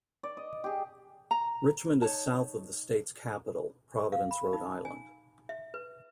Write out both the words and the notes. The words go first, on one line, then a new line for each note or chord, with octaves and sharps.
Richmond is south of the state's capital, Providence, Rhode Island.
D5
D#5
G4 G#4
A#5
D#4 C#5 A5
F5
B5
D#4
G#5
E5
B4